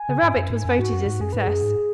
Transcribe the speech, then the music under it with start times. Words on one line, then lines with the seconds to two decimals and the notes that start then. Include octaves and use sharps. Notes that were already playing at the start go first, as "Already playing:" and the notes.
The rarebit was voted a success.
Already playing: G#5
0.09 C#3
0.23 G#2
0.36 F#2
0.50 G#2
0.65 F#2
0.78 G#2 F#4
0.92 F#2
1.06 G#2
1.20 F#2 G#4
1.33 G#2 B4
1.43 F#2 G#4
1.62 G#2